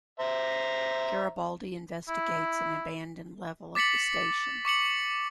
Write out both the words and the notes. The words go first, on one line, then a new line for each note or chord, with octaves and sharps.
Garibaldi investigates an abandoned level of the station.
C5 E5 A#5
E4
D6 A6 B6 C#7 F#7
C#6 D6 C#7 F#7